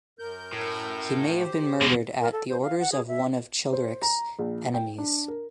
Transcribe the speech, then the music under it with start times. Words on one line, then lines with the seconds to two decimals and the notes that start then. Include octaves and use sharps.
He may have been murdered at the orders of one of Childeric's enemies.
0.19 F#2 A#4 G6
0.53 A2
1.39 G4 C5
1.81 E2 B2 D3 B3
2.21 A#4
2.32 A4
2.49 C5
2.62 F5
2.79 F#5
2.92 G#4
3.08 E5
3.73 C5
4.02 A#5
4.39 A#1
4.74 G5
4.98 D4
5.28 A#4